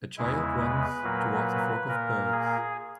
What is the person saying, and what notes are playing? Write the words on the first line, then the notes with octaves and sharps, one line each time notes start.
A child runs towards a flock of birds.
E2 C#3 G#3 E4
B4
A#2 F#3 A#3
A#2 A#3 A#4
G#4